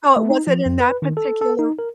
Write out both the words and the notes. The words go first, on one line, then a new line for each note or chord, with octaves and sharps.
Oh, was it in that particular
A3
D#4
F3
F2
B4
D#3
A4
A4
D#4
A#4